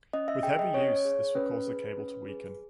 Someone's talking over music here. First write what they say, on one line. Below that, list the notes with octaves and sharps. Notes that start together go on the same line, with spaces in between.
With heavy use, this will cause the cable to weaken.
C#4 D#5
E5
G#4 G5
D#5
C#4 C#5
G#4
C#4 B4
G#4
C#4
G#4